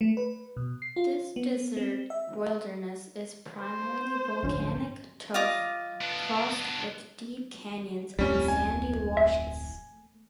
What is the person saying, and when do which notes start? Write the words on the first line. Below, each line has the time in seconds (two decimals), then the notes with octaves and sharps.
This desert wilderness is primarily volcanic tuff crossed with deep canyons and sandy washes.
0.01 A3
0.17 B4
0.57 B2
0.82 C7
0.96 F4
1.36 B3
1.77 C4
2.10 E5
3.61 C5
4.43 D1 G1 F3 C#4 D4
5.34 F4 D#5 D6
6.01 B3 D4
8.19 D1 F2 A2 G3 C#4
8.48 G#5
9.17 E5